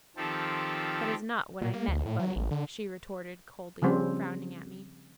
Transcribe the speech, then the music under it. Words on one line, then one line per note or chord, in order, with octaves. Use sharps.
"That is not what I meant, Bunny," she retorted, coldly, frowning at me.
D#3 F3 C4 G4 A4
A#2
A#3
D2
A2
F#3
A1
D3
C#3 F3 G3 C4